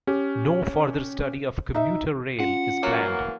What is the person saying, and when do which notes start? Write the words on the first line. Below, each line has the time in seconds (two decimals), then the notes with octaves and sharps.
No further study of commuter rail is planned.
0.07 C#4 G4
1.75 D#4 D#5 E5
2.40 C#4 F4 F#5
2.83 F#2 E3 F#3 A#3